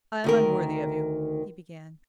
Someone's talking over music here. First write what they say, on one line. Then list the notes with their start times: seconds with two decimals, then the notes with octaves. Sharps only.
"I am unworthy of you," he began.
0.24 D2 D#3 A#4